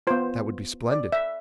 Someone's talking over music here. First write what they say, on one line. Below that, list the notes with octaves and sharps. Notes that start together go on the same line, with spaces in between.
"That would be splendid."
B3 F4 C5
D5
E5